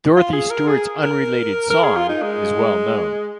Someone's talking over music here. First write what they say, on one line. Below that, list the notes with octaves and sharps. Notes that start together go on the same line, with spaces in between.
Dorothy Stewart's unrelated song is well known.
F4
G#4
A#4
G#4
A#4
A#4
G#4
F4
D#4
G#3